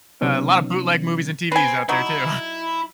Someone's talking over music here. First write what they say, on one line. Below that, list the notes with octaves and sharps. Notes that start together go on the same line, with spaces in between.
a lotta bootleg movies and TVs out there too.
C3 F#3 B3 C#4 D#4
C4 B4 G#5
F#3 D#4 E4